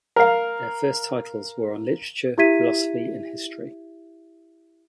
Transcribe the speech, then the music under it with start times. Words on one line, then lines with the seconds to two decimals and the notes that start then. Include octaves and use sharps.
Their first titles were on literature, philosophy and history.
0.16 A#4 F5
2.38 E4 G4 E5 G#6 B6 D#7